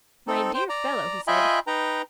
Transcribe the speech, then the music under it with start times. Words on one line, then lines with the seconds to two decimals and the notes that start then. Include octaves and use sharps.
"My dear fellow!" he said.
0.27 C4 D#4 A4
0.54 C5 G5
0.69 D5 A#5
1.27 F4 D#5 E5 G5 G#5 B5
1.67 D#4 B4 G5 A#5